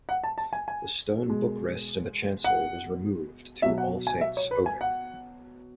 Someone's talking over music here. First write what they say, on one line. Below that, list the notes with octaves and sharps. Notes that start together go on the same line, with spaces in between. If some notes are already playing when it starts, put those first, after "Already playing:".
The stone book-rest in the chancel was removed to All Saints', Oving.
F#5
A5
A5
G#5
G#5
B2 G#3
F#5
B2 F#3 E5
F#5
G#5
E5
C#5
B4
G#5
F#5